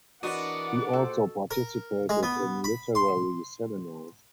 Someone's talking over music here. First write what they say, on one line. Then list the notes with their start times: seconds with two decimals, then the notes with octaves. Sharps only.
He also participated in literary seminars.
0.23 E3 B3 D4 F#4 A#4 D#5 F#5 D6
0.93 A#2 G4 A4 C5
1.51 A#4
2.09 G#3
2.23 B3
2.64 B5
2.95 C6